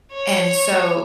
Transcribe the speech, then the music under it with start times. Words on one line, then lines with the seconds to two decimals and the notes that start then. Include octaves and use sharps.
and so
0.14 C#5